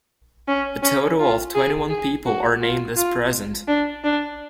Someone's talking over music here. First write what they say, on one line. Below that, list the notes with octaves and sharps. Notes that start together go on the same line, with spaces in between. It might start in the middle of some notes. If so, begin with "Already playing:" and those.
A total of twenty-one people are named as present.
C#4
C#4
F4
G#4
G#4
F#4
F4
F4
D4
D4